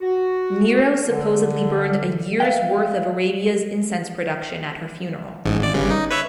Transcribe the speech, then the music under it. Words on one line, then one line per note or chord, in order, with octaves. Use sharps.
Nero supposedly burned a year's worth of Arabia's incense production at her funeral.
F#4
D3
E5 F5 G5
A1 G#2
G#1 D5
G1 G2 C#3
D#4
B4 C#5 E5